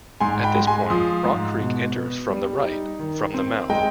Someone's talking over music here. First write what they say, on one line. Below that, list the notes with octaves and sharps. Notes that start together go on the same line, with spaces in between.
At this point, Rock Creek enters from the right from the mouth.
G#2 G#5 C6
G5 B5
G#3
G#5 C6
F3 C6 D#6
G#2
B2
B3
G3
D#4
D#3
C4
G#3 D#5 G5